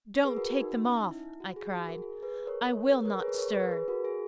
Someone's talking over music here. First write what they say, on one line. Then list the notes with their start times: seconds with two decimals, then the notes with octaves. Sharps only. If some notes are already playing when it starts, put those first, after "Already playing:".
"Don't take them off," I cried; "I will not stir."
0.25 G#4 B4
0.36 F#4 A#4
0.50 F#4
0.61 D#4
0.86 C#4
0.98 D#4
1.11 E4
1.40 F#4
1.56 G#4
1.73 F#4
1.89 A#4
1.98 G#4
2.23 G#4 B4
2.47 A#4 C#5
2.72 A#4 C#5
2.89 G#4 B4
3.05 A#4 C#5
3.22 G#4 B4
3.38 A#4 C#5
3.54 G#4 B4
3.71 G#4 B4
3.88 F#4 A#4
4.05 G#4